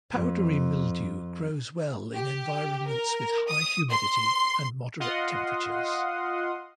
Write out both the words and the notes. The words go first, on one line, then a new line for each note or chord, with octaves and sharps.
Powdery mildew grows well in environments with high humidity and moderate temperatures.
F2
G4
A#4
D#6
C6
F4 D#5 F5 F#5 C6 D#6